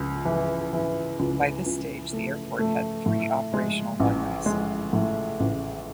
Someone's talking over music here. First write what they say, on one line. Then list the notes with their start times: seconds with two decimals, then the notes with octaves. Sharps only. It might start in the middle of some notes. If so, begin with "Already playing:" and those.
By this stage, the airport had three operational runways.
Already playing: C#2
0.25 E3
0.73 E3
1.19 C#2
1.66 C#2
2.13 A3
2.59 A3
3.06 A2
3.54 G#3
4.00 A1
4.46 G#3
4.93 A2
5.40 A1